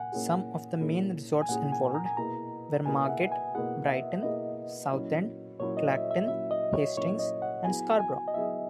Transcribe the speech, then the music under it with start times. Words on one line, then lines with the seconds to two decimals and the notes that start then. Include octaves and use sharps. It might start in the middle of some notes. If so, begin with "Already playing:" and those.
Some of the main resorts involved were Margate, Brighton, Southend, Clacton, Hastings and Scarborough.
Already playing: A#2 F#5 G#5
0.12 A#2 A#3 C#4 E4 G#4
0.81 A#2 A#3 C#4 E4 G#4
1.42 G#5
1.49 A#2 A#3 C#4 E4 G#4 F#5
1.72 G#5
1.94 A#5
2.06 G#5
2.17 B2 A#3 E4 G#4 A#5
2.86 B2 A#3 E4 G#4 G#5
3.04 E5
3.09 F#5
3.32 G#5
3.55 B2 A#3 E4 G#4 F#5
3.88 E5
4.23 B2 A#3 E4 G#4 D#5
4.91 A#2 F#3 C#4 E4
5.60 A#2 F#3 C#4 E4 C#5
5.77 D#5
5.94 E5
6.11 E5
6.28 A#2 F#3 C#4 E4 E5
6.51 D#5
6.73 C#5
6.97 A#2 F#3 C#4 E4 C#5
7.19 D#5
7.42 F#5
7.65 F#3 B3 E4 G#4 G#5
7.99 G#5
8.28 D#5
8.34 F#3 B3 E4 G#4 E5